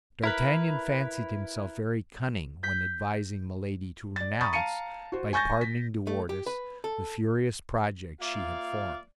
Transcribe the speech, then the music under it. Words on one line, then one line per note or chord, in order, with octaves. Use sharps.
D'Artagnan fancied himself very cunning when advising Milady to renounce, by pardoning de Wardes, the furious projects she had formed.
E4 A#4 B4
G6 B6
D5 A6
A#5 B5 C#6 D#6 A6
F5 A5 A#5 C#7 D#7
F#4 C5
G#5 C#6 G6 A6 A#6
B6
A3
G4
B4
A4
A#3 F4 D5 E5 F5